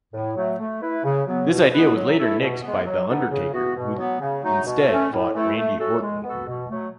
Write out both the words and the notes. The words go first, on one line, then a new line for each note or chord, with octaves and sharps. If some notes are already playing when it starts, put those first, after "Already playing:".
This idea was later nixed by The Undertaker, who instead fought Randy Orton.
A2
F#3 A3
A3
E4 B4
C#3
F#3 B3
B2
G#3 B3 E4 B4
F#3
A3 E4 A4
B2
G#3 B3
F#3
B3 D#4 A4
C#3
E3 B3 F#4
B2
F#3 B3
C#3
F#3 A3 D#4
B2
A3 C#4
A2
E3 A3 E4 A4
A3
C#4 F#4 A4
G#3
B3 F#4 A4
B2
F#3 A3